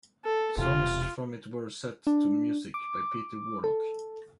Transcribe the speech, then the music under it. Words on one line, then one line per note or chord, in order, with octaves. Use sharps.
Songs from it were set to music by Peter Warlock.
A4
E1 C3 F4
D4
D6
A4